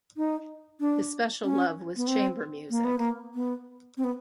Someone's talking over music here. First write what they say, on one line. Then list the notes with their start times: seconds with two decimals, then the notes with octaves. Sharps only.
His special love was chamber music.
0.17 D#4
0.80 D4
1.44 C#4
1.97 B3
2.07 C4
2.70 A#3
2.84 B3
2.98 A#3
3.34 B3
3.97 C4
4.04 B3